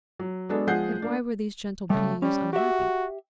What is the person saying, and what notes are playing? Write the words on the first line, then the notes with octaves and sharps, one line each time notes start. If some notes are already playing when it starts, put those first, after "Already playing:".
Yet why were these gentle beings unhappy?
F#3
G#3 B3 D4 F#4 A4
F3 G#3 G#4 F#5 G6 C7
A#3 D4
C#3 G3 A3
G3 C#4
F#4 G4 E5